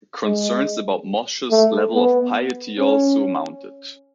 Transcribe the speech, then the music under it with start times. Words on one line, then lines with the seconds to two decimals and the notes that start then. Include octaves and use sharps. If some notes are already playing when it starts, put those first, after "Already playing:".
Concerns about Moshe's level of piety also mounted.
0.24 G#3
1.51 A3
1.94 B3
2.79 C#4